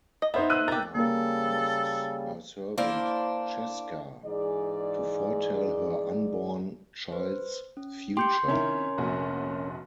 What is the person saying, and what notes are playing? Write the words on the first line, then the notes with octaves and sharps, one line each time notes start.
Anna asks her servant Cesca to foretell her unborn child's future.
D#5
B3 D#4 C5 E5
E6 F#6 D#7
G4 A#4 A6
C#3 G3 A#3 A4 A#4
A#3 D4 E4 C5
G#2 E3 G#4 D5
B4 C5
C#4
G4 C6 G6 C#7
C3 D#3 C#4 E4 A#4
F1 A#1 F#4